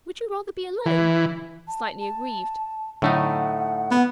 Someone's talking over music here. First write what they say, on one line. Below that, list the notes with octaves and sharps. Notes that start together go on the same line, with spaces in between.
"Would you rather be alone?" slightly aggrieved.
E3
A5
A5
A2 D3 F#3 A3 D4 D#4 F#5
B3